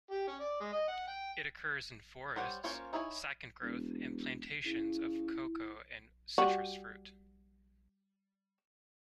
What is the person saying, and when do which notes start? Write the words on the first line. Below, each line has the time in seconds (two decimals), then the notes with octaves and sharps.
It occurs in forests, second growth and plantations of cocoa and citrus fruit.
0.10 G4
0.27 C#4
0.40 D5
0.60 G#3
0.72 D#5
0.88 F#5
1.07 G5
2.36 G3 C5 C#5 F#5
2.64 A#3 C#4 F4 C5 C#5
2.93 D#4 E4 C#5 E5 G#5
3.62 E1
4.65 C#3 E4
6.38 G3 F#4